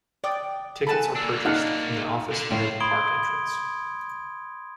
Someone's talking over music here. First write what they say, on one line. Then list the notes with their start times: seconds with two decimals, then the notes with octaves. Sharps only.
Tickets are purchased from the office near the park entrance.
0.24 D5 G5 D#6 F#6
0.87 A4 F#5 G#5 A5 B5
1.15 A#3 D4 E6
1.45 D#4 F5 F#5 A5
2.32 D3
2.51 A2 F3 F4 C5
2.80 B5 C6 D#6 G#6 D7 G7